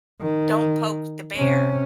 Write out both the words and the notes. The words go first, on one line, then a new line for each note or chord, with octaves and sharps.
don't poke the bear
D#3
C3 C#4